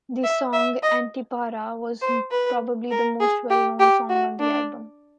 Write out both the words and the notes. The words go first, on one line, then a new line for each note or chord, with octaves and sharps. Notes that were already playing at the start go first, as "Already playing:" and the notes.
The song "Antipara" was probably the most well-known song on the album.
E5
E5
D#5
C5
B4
A#4
G#4
G4
G4
F#4
D4